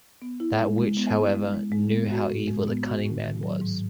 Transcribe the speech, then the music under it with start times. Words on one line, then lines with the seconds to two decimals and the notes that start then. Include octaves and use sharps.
That witch, however, knew how evil the Cunning Man was.
0.22 B3
0.40 E4
0.59 G#3
0.78 G#3
0.97 B3
1.16 E4
1.35 G#3
1.54 G#3
1.72 G#3
1.92 B3
2.11 F#4
2.30 A2
2.48 G#3
2.67 B3
2.86 F#4
3.05 A2
3.24 D#3
3.43 F#3
3.61 G#2